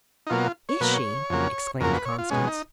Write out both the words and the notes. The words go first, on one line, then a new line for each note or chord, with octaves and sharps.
"Is she?" exclaimed Constance.
D#4
B2 F#3 A#3 F4
C#5
B2 F#3 A#3 B4
C#5
F2 C#3 F#3 A#3
F2 C#3 F#3 A#3 A#4
B4
C#5
F4
B2 G#3 C#4
D#4